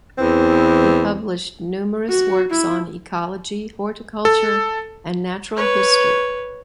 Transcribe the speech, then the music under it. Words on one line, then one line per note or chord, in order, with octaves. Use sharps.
He published numerous works on ecology, horticulture, and natural history.
E2 E3 C4
F#4
E4
A4
B4 C#5